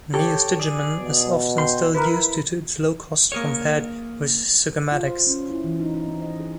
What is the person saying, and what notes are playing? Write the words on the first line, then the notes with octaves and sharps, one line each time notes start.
Neostigmine is often still used due to its low cost compared with sugammadex.
G4 A4 C#5 G5
G#4 D5
B2
G5 C6
E4 A#4 B4
A#3 G#4 A#4 C#5
F4
C5
C#4
E4
E3
D#4
D#4
C4
D#5
G#4